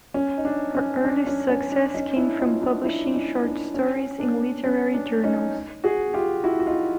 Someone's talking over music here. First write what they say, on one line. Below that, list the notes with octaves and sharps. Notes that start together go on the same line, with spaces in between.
Her early success came from publishing short stories in literary journals.
C#4
D#4
D4
C#4
D4
C#4
C#4
D4
C#4 D#4
D4 E4
D#4 F4
D4 E4
D4 E4
D4
C#4 D#4
D4
C#4
D4
C#4
D4
C#4 D#4
F#4 G#4
F4 G4
E4 F#4
F#4
D#4 F4